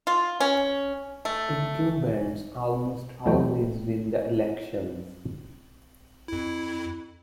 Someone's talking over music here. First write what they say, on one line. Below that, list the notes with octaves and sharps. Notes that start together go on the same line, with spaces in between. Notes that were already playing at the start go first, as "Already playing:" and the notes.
Incumbents almost always win the elections.
F4
C#4
A3
E2 F#3 A3 G5
F2 E4